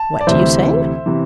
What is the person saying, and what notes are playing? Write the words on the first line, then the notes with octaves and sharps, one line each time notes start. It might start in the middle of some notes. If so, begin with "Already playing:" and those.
"What do you say?"
Already playing: A5
D5
D2 C3 E3 C5 E5
C3 E3